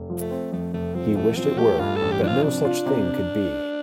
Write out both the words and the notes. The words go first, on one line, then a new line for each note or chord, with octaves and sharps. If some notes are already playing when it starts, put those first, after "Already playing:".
He wished it were, but no such thing could be.
Already playing: F1
F3
A3
C4
F2 A3
F1 A3
F3 C4
A1 A3
F3 C4
A3 G4
G2 F4
A4
A1
G4
F3 D4
F4
C3 D4
F4
C3